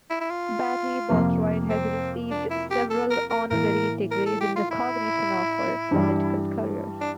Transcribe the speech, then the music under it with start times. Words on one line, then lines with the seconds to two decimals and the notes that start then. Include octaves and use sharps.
Betty Boothroyd has received several honorary degrees in recognition of her political career.
0.10 E4
0.20 E4
0.30 F4
1.10 F2 C3 F3 A#3
1.70 C4
2.30 D4
2.50 E4
2.70 G4
2.90 A4
3.10 A#4
3.30 A#4
3.50 A2 E3 A#3 A#4
4.11 A#4
4.26 A4
4.41 G4
4.56 F4
4.71 E4
5.91 G2 E3 G3
7.01 D4